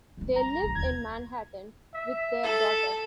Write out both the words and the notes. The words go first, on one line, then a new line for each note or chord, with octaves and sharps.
They live in Manhattan with their daughter.
G1 D4
A#5
B1
D#2 F4 G#6
E5
A4